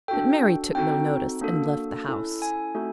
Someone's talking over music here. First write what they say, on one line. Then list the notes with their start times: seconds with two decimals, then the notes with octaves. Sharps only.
But Mary took no notice, and left the house.
0.08 D4 F#4 A4 G5
0.75 C4 D#4 F#4 A4 G5
1.41 A#3 D4 F#4 A4
2.08 C#4 E4 A4
2.42 G#5
2.75 A3 C4 D#4 F#4 A4